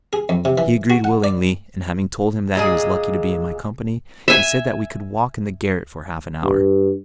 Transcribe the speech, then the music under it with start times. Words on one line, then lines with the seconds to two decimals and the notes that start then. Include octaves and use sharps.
He agreed willingly, and having told him that he was lucky to be in my company, he said that we could walk in the garret for half an hour.
0.13 G#4
0.29 F2
0.45 C3
0.58 E3
0.90 F#4
1.04 F#5
1.24 D5
2.55 A#2 G#3 G#4
4.28 E5 G#5
6.43 G2